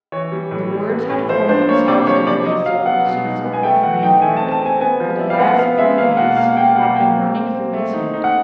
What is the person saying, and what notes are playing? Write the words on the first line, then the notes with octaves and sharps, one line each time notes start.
The words had formed themselves into a sort of singsong refrain that, for the last few days, had been running through his head.
E3 C#5
G3
A2
G3
B3
A2
F3 C5
D4 C5
A#3 C#5
C3 D5
F3 C#5
C3 D5
F#3 D#5
F#3 F5
B3 F#5
B2
D#4
B3
G#5
A3 G5
E3 F#5
D#4 G5
A3 G#5
A5
C4
A5
C4 G#5
B3 G#5
F3
E4
F5
B3 F#5
B3 F5
G#3 E5
A#3 F5
B2 F#5
A#3 F5
F#5
A#3 G5
B2 F#5
A#3 G5
C4
C4
C4
A3
D#4
D#4
F#5